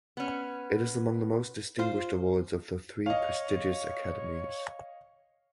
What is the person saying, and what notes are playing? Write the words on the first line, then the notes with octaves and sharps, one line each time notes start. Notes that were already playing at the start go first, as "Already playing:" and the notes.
It is among the most distinguished awards of the three prestigious academies.
B3 C#4
F4 C5
C#5 D#5 F5